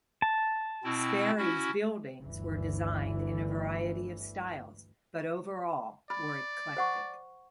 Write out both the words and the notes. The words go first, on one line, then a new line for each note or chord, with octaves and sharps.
Sperry's buildings were designed in a variety of styles, but overall were eclectic.
A5
B2 C4 E4
C#4 E4 F#4
G1 D2 E3
D5 B5
C5 F#5 C#6